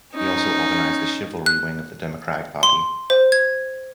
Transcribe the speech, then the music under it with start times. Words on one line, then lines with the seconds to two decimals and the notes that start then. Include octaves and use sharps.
He also organized the "Chivalry" wing of the Democratic Party.
0.15 C#4 D#4
1.46 F#6
2.63 C6
3.10 C5
3.32 G#6